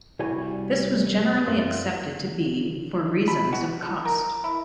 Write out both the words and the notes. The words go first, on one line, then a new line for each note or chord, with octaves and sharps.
This was generally accepted to be for reasons of cost.
C2 G3 E4 F#4 C#5 G#5
F#2 A#3 C4 E5 C6
B5
F#4
D3
A#4
E4